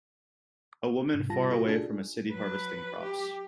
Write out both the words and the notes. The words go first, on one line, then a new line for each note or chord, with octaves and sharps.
A woman far away from a city harvesting crops.
G#2 C3
C3 G3 F4 A5 A#6
F4 F#4 A4
D4 G#4 A4
F#3 B4
G4